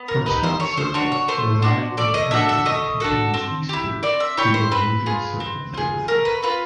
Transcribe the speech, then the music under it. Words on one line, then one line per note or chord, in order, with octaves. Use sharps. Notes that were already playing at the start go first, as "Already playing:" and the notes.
From Scott Circle, Rhode Island Avenue continues eastward to the Logan Circle neighborhood.
Already playing: B3
A#4
D#4 G4 B4
C5
A3 C#5
C5
D4 F#4 C#5
C#5
A3 C5
D4 F#4
A3 D5
D#5
D4 F#4 A4 E5
E5
A3 D#5
D4 F#4 A4
C4
E4 G4
C4 D5
E5
E4 G4 C#5
C5
C4 B4
F4 G#4
C4
F4 G#4
A3 A#4
B4
C4 F4 B4